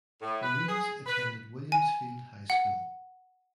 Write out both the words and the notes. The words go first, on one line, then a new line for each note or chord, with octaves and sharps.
Ruiz attended Williams Field High School.
A2
B4
G#4
B4
G#5
F#5